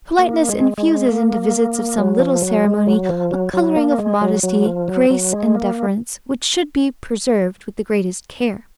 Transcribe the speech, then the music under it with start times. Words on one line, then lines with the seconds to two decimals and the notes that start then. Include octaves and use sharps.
Politeness infuses into visits of some little ceremony, a coloring of modesty, grace, and deference, which should be preserved with the greatest care.
0.19 A#3
0.49 G#3
0.78 G#3
1.08 A#3
1.98 F#3
2.19 F3
2.42 F#3
2.64 G#3
2.87 F#3
3.09 F3
3.31 F#3
3.53 F#3
3.76 A#3
3.98 G#3
4.21 F#3
4.43 F#3
4.66 F3
4.88 F#3
5.10 F#3
5.33 G#3
5.55 A#3